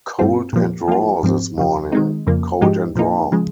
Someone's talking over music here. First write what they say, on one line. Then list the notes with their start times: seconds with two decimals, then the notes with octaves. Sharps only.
Cold and raw this morning, cold and raw!
0.19 G2 G3 C4 F4
0.53 A#2 F3 A#3
0.88 F3 A#3 F4
1.23 G#2 F3 C4
1.58 F2 C#3 F3
1.92 D#3 G#3 C4 D#4
2.27 F2 C#3 F3 A#3
2.61 G#2 F3 G#3 D#4 G4
2.96 A#2 F3 A#3 D#4
3.32 C#3 F3 G#3